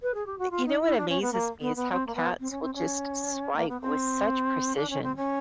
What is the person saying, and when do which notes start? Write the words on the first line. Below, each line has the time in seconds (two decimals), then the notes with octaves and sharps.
Y you know what amazes me is how cats will just swipe with such precision.
0.02 B4
0.14 G#4
0.26 G4
0.38 F#4
0.50 F4
0.65 D#4
0.81 E4
0.97 D4
1.09 C#4
1.21 B3
1.32 A#3
1.60 B3
1.76 B3
1.91 C4
2.07 A#3
2.15 B3
2.40 C4
2.50 C#4
2.62 C4
2.74 C#4
3.56 A#3
3.68 B3
3.81 C4
4.76 D4
4.90 C#4
5.02 C4
5.16 C#4